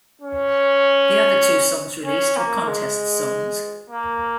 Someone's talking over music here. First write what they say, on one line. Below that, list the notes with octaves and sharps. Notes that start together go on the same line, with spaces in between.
The other two songs released were contest songs.
C#4
C#4
A#3
G#3
A#3